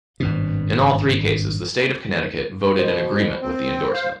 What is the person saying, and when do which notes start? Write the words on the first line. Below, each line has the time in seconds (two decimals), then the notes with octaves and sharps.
In all three cases, the state of Connecticut voted in agreement with the endorsement.
0.20 G#1 G2 B2
2.79 B2 C5
3.42 C4
3.94 C5 F5